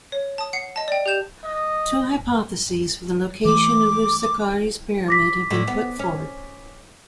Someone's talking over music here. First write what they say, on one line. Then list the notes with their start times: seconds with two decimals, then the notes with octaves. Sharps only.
Two hypotheses for the location of Userkare's pyramid have been put forth.
0.12 C#5
0.38 A5 D#6
0.53 F#5 C7 C#7
0.76 D#5 A5
0.88 D5 G5
1.06 G4 G5 G6 E7
1.45 D#5
3.45 E3 A3 D6
5.08 D6 A#6 B6
5.50 A2 D3
5.68 B3
5.99 C#4